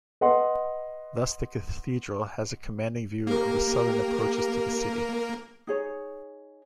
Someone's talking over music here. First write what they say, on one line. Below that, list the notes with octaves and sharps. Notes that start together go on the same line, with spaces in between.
Thus the cathedral has a commanding view of the southern approaches to the city.
B4 D#5 F#5 C6
A#3 G4 A#4
D#4 G#4 C#5